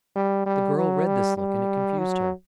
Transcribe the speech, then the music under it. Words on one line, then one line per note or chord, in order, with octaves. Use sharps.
The girl read this look and it confused her.
G3
G3
F#3
G3
G3
F#3